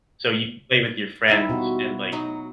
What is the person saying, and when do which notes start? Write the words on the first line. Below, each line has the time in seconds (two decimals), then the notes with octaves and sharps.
So, you can play with your friends and, like,
1.28 D#2 G3 D#4 E4 E5
1.49 B2 F4 F#4
2.12 F#3 D#4